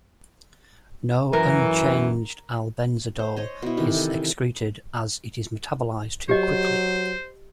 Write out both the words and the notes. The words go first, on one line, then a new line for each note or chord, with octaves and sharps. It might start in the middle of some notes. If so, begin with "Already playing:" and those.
No unchanged albendazole is excreted, as it is metabolized too quickly.
F#2 E3 A#4
C5
C5 C#5 D#5
B2 E4
C3 D#3 E3
A4
F#3 G4 C5 D#5